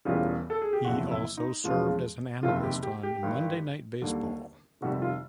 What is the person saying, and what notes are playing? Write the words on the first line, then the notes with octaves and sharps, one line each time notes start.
He also served as an analyst on "Monday Night Baseball".
E1 E2 C#3 E3 G3 F4
A4
G#4
G4
F#1 E2 C3 F3 F#4
E4
D#4
E2 C#3 F3 G#3 F4
F#1 F2 C3 D#3 F4
G4
G4
G4
G#1 G2 D#3
D#2 D3 G3
F1 F2 C3 D#3 G3 F#4
F4